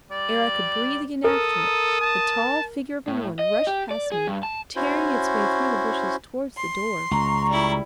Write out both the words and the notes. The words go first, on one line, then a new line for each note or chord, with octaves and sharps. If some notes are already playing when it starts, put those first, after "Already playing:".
Ere I could breathe again after it, the tall figure of a woman rushed past me, tearing its way through the bushes towards the door.
G3 D5
A4 A#4 D#6
A5
A2
D#5
G4
D5
G#4
G2
A5
C#4 E4 F#4 C5
C6
C#2 A#5 C#6
G3 E4